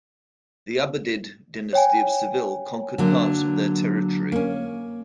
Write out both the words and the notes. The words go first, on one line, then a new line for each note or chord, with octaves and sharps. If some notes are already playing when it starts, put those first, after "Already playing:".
The Abbadid dynasty of Seville conquered parts of their territory.
C#5 G5 G#5
D3 F#3 A#3
A#3 C#4